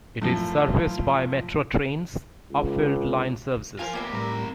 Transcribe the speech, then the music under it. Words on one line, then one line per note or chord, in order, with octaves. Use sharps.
It is serviced by Metro Trains' Upfield line services.
F#2 A2 F3 F4
C#2
F4 A#4 C5 F5 G#5
A#3 B3 D4 G4 E5
A2 G3 C4 A#4